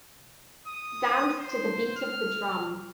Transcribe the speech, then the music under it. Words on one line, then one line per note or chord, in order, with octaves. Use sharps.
Dance to the beat of the drum.
D#6
C5
F6